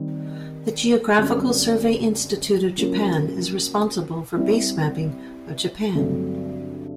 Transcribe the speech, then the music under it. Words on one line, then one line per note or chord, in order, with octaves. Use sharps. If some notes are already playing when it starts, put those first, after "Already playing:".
The Geographical Survey Institute of Japan is responsible for base mapping of Japan.
Already playing: D#3 G3 C4
F#2 D3 G3 C4
C#3 F#3 A#3 C#4 F4
G3 C4 E4
G2 D3 F#3 A3 C4